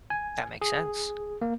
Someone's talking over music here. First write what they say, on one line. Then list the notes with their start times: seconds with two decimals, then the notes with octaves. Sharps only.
That makes sense.
0.10 G#5
0.61 G#4
1.41 A#3